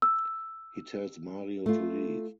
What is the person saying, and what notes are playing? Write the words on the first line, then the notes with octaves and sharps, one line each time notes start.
He tells Mario to leave.
E6
A3 F4